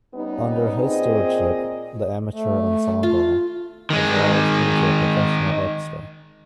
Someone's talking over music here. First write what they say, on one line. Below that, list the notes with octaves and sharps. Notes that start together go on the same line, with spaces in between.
Under his stewardship, the amateur ensemble evolved into a professional orchestra.
G3 B3 C#4 D#4
A#2 C4 G#4 D5 D#5
A3
F4
D#3 G#3